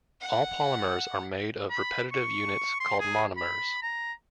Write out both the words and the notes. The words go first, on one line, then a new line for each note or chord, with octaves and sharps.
All polymers are made of repetitive units called monomers.
F#5
B5
C#6
C6
G#4
B5
A#5